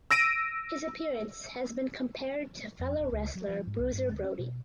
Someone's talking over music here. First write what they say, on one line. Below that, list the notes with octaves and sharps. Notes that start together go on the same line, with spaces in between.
His appearance has been compared to fellow wrestler Bruiser Brody.
E6 A#6 D7 D#7
F2
D1
C#2
F#3
F3
G#2
C2
G2
D2
C#4
B2